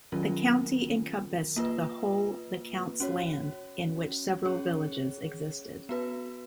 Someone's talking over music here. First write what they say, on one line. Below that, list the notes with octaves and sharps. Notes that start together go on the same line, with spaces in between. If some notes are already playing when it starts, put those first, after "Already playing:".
The 'county' encompassed the whole the Count's land in which several villages existed.
D#3 F#3 C#4 F4 A#4
A#3 F4 B4
C#4 F#4 C#5
C#4 G#4 C#5
B3 F#4 B4